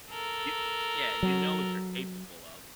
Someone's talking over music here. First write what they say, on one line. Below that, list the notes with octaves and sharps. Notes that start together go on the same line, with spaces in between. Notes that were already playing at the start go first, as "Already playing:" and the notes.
You yeah, you know what you're capable of.
A4 A#4
F#3